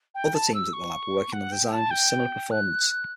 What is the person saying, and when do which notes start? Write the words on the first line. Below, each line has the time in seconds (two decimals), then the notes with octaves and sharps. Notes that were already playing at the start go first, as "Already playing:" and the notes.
Other teams at the lab were working on designs with similar performance.
0.15 G5
0.34 A5
0.54 E6
0.73 C#6
1.33 F#5
1.52 G5
1.72 A5
1.91 G5
2.51 F#6